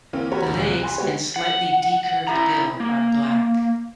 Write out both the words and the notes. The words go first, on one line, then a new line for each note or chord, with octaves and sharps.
The legs and slightly decurved bill are black.
E3 A#3 C4 C#4
F#4 G4 C5 C#5 A#5 B5
D2 A#2
F1 C2 F#6
G#5 B5 C6
G#3 B3 F#4 G4 C#5
F#5
E4 E5 A#5
A#3